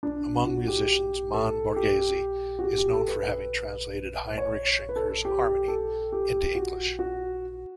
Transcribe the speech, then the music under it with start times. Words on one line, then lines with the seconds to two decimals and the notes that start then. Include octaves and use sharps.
Among musicians, Mann Borgese is known for having translated Heinrich Schenker's "Harmony" into English.
0.03 D4
0.46 F#4
0.68 G4
1.34 A4
1.76 G4
2.59 F#4
2.64 G4
2.78 G4
2.92 A4
3.08 B4
4.38 C#5
4.89 B4
4.96 A4
5.10 A4
5.25 G4
5.68 A4
6.12 G4
6.55 F#4
6.99 F#4